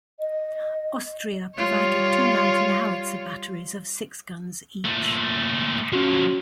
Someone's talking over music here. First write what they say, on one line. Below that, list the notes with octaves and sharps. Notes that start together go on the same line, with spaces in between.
Austria provided two mountain howitzer batteries of six guns each.
D#5
G3 F4 C#5
A#2 A3
F3 F#3 C#4 F#4